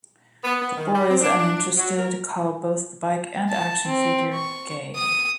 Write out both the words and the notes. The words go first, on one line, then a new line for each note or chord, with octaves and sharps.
The boys, uninterested, call both the bike and action figure "gay".
B3
B3
D#3
G3
C4
D4
D4
F#3
A#4
A5
C4
C#6
D#6